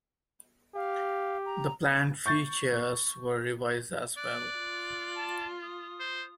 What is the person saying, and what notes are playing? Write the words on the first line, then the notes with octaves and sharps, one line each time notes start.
The planned features were revised as well.
G4 F5
A#5
C#6 G6 A6
D5 F#6
F4
A5
D#6
C5